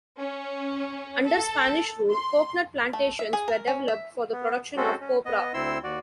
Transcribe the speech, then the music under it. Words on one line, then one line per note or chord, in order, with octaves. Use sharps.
Under Spanish rule, coconut plantations were developed for the production of copra.
C#4
A4
C6
A3
E5
G#4
A#4
C#4
E5
B3
G#3 C4 C#4 F#4 A4 C5
C#4
B3 D#5
D2 C4 E4 C6 E6
D#2 F#4 D5